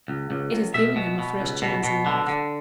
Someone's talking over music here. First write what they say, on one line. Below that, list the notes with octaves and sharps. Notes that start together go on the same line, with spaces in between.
"It has given him a fresh chance in life."
C#2
C#2
C#2
B2 E5
B2
B2
C#2
B2
B2
D3
D3